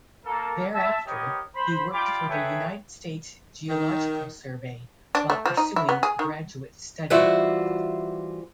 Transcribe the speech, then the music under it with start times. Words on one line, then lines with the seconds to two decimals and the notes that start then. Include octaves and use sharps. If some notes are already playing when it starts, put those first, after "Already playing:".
Thereafter he worked for the United States Geological Survey while pursuing graduate study.
0.25 A#3 A4 A#4
0.73 E5 A5
1.06 B3 G4 A#4 C#5 D#5
1.55 C5 B5
1.92 G3 F4 G4 B5 D6
2.29 G#4 A4 B4 C#5 E5 G5
3.68 D#3
5.15 D4
5.30 A3
5.46 F3
5.57 D#4
5.76 E4
5.89 B3
6.03 G#4
6.19 D#3
7.10 E3 G3 F4 F#4 C5 E5